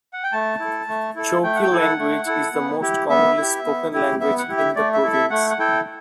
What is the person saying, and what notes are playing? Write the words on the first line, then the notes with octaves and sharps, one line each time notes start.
Chokwe language is the most commonly spoken language in the province.
F#5
G5
A3 A5
E4 A4
A3
E4 A4
A3 G5
F#5
G5
E4 A4
F#5
A3
E4 A4
B3
E4 G4
B3 E5
E4 G4
B3
E4 G4
B3 E5
F#5
E4 G4
E5
A3 D5
E5
E4 A4
E5
A3 F#5
F#5
E4 A4 G5